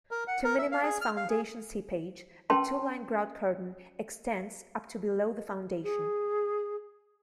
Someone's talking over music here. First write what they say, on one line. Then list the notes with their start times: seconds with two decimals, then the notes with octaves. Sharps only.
To minimize foundation seepage, a two-line grout curtain extends up to below the foundation.
0.11 A#4
0.28 F#5
0.44 A#4
0.58 E5
0.72 F5
0.83 G#4
1.01 F6
1.16 F5
1.29 G#4
2.50 C#4 B4 G5 A5 C6
5.83 G#4